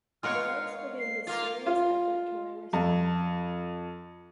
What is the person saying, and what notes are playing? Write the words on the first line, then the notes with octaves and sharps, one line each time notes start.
Morris begins a serious effort to win respect.
G#3 F4 A#4 C#5 F#5 F6
C7
A#3 F4 F5
F4
F2